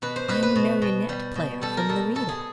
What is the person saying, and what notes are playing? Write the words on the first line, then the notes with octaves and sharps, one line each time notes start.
I am a marionette player from Lerida.'
B2 B4
C5
B2 B4
B4
B2
B2
G3
B2
G3 A4
A#4
B2 A4
B2 A4
G#4